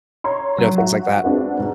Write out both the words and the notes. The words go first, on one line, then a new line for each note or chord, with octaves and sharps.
You know, things like that.
C#5 A#5 C6 C#6
F#3
F#4
G#3 C4 D4 F#4 B4
G#2